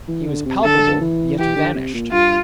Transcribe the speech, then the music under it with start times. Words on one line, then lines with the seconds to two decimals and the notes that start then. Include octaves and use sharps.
He was palpable, yet vanished.
0.08 E3
0.27 D3
0.46 C3
0.64 D3 A4
1.01 E3
1.39 E3 G4
1.56 D3
1.75 C3
1.94 A#2
2.12 G2 F4